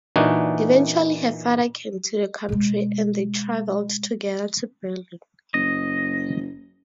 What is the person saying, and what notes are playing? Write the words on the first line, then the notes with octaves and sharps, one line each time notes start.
Eventually her father came to the country and they traveled together to Berlin.
A#2 E3 D4 D#4 F#4
B2 G#3
F#1 D#5